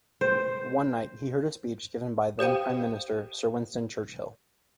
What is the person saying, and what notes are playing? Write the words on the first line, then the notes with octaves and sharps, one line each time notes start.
One night he heard a speech given by then-Prime Minister Sir Winston Churchill.
C5
G4 C5 F5 G5